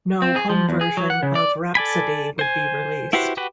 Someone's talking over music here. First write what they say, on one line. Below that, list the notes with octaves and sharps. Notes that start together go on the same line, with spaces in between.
No home version of Rhapsody would be released.
C4
G#4
F3
E2
G#4
F#3
F#5
C#3
D5
A4 D5 G#5 B5
C5 G#5
E4 F#4 G4 B4 C5
F#4 G4 B4 F#5